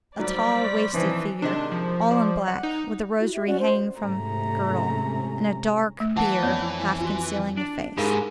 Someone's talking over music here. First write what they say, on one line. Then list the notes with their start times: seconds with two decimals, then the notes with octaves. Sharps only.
A tall, wasted figure, all in black, with a rosary hanging from the girdle, and a dark beard half concealing the face.
0.17 G#2 F#3 G3 A3 C5 D5 B6
0.63 C#6 F#6 A6
0.94 C#3 E3 F3 C4 D#4
1.42 C3 D#3 G#3 D4
1.71 F3
2.11 C5 D5
2.48 F#5
2.63 D#4
3.19 E4 F#4
3.34 G4 E5
3.46 C#4 F#4 D5 F#5
3.59 C5
3.99 G#2 C3 A3 C#4 A#5
6.00 A3
6.17 E3 F#5 A5
6.43 F2 B3 C#4 C#5 D5
7.00 F4 F#4
7.57 D4
7.98 G#2 D#4 G4 G#4 A#4 F5 B5